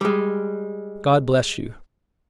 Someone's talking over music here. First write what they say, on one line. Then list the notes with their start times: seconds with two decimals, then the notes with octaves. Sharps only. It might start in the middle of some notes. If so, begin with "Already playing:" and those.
God bless you!
0.01 G3 G#3